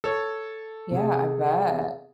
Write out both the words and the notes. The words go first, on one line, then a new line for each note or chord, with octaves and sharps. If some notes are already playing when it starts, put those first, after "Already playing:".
Yeah, I bet.
A4 C#5
C3 G#4